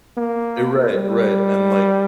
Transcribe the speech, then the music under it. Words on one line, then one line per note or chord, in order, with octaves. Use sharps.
Eh, right, right, and like
A#3
G3